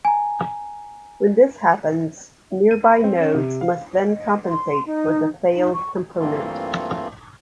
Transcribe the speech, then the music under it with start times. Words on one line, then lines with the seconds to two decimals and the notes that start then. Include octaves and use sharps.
When this happens, nearby nodes must then compensate for the failed component.
0.05 G#5 A#5
2.71 D#7
2.84 B5
3.04 C4
3.20 C#4
3.34 C3
3.61 F5
4.11 D#5
4.47 C6
4.86 D#4
5.55 D#4
5.74 C#6
6.20 G2 E3 A3 A#3 C4 F4